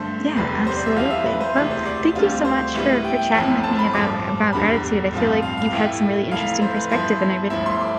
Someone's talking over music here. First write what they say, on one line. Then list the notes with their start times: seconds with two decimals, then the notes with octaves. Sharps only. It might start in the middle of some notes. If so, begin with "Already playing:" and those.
Yeah, absolutely. Well, thank you so much for for chatting with me about about gratitude, I feel like you've had some really interesting perspective, and I
Already playing: G2 D3 A3 C5
0.36 F1 E2 C3 G3 C4 B4
0.67 C5
0.77 D5
0.86 E5
0.96 F2 E3 G3 F5
1.10 E5
1.26 B4
1.41 C5
1.56 E1 D2 C3 E3 D5
1.71 C5
1.86 D5
2.15 D2 D3 G3 C4 F4
2.45 C5
2.74 A2 E3 G3 B3 E5
3.04 G5
3.19 G5
3.34 G1 F2 E3 A3 C4
3.64 A5
3.79 B5
3.93 A1 G2 F3 D6
4.53 F1 E2 D3 G3 B5
5.13 A1 G2 F3 C4 F4
5.42 F5
5.58 F5
5.72 A2 E3 A3 E4 G5
6.31 F1 F2 E3 A3 E4 F5
6.61 C5
6.76 B4
6.91 G2 F3 B3 E4 C5
7.50 G1 G2 F3 A3 E4 E5
7.66 C6
7.81 D6